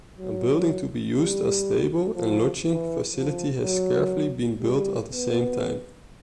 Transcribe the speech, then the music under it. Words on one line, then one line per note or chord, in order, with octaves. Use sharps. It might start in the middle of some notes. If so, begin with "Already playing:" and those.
A building to be used as stable and lodging facility has carefully been built at the same time.
F#3
G3
F3
E3
F3
F#3
G3
B3